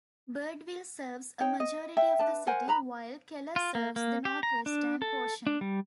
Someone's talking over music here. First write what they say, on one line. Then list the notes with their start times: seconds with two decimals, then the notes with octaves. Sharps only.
Birdville serves a majority of the city, while Keller serves the northwestern portion.
1.40 D#4 C#5 G5
1.60 D#5
1.97 E5 G5
2.19 D4 B4 A5
2.47 A#4 C5 F#5 G#5
2.68 B4 A#5 B5
3.56 F4
3.75 A#3
3.96 A#3
4.25 G4
4.43 A#5
4.66 D4
5.02 A4
5.47 D4
5.61 G3